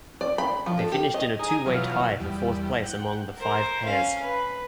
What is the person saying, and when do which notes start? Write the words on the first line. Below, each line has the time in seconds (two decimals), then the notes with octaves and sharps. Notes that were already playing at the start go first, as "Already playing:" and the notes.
They finished in a two-way tie for fourth place among the five pairs.
0.21 D5
0.38 B5
0.66 F3
0.79 A4
0.92 G4
1.14 D#5
1.39 D#4 G#4 D#5 G#5 A#5
1.66 B2 E3 F#3 F4
2.20 E2 G3
2.83 F#5 G5
3.37 A#4 C5
3.85 C#4 F5
4.22 B4